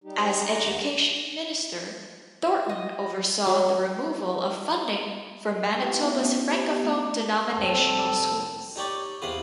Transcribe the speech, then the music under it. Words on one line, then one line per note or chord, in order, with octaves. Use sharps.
As education minister, Thornton oversaw the removal of funding for Manitoba's francophone denominational schools.
G3 D#4 G4
C4 G5
D4 A#5
D#2 D3 D#3
D#5
F#3
A3 E4 G4 B4 G5
B3 C4 D#4 F#4 E5
A3 B3 C#4 E4 F#4
G4 C5 G#5 C#6
B3 G4 A5
A3
F1 G3 C4 A4
D#4 G4 C#5 D5
E2 C3 F5 B5 D#6